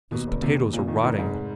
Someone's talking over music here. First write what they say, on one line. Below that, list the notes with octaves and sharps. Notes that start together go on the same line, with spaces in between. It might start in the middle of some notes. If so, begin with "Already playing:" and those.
Those potatoes are rotting.
D#2 B2
F1
D#2 C3
D#2
F1 A#2
A#2 D#3
F1 A2
F1 G#2